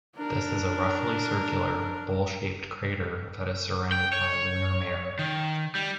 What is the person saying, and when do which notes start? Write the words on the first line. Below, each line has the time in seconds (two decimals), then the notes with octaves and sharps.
This is a roughly circular, bowl-shaped crater that is surrounded by lunar mare.
0.17 D4 A#4
3.92 G5
4.13 C#5
5.19 D#3
5.75 G3